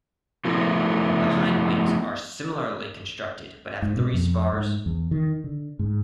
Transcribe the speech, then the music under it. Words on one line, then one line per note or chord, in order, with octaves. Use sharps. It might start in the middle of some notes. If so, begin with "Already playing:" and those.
The hindwings are similarly constructed, but have three spars.
F3 A3 B3 E4 A#4
G#2
B2
F2
G#2
E2
D#3
D3
G#2